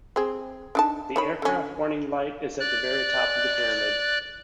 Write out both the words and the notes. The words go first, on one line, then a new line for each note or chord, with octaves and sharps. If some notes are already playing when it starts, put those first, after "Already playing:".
The aircraft warning light is at the very top of the pyramid.
C4 G#4
D4 D#4 A5
D#3 C#5 B5
D3 C#4
D5 F#6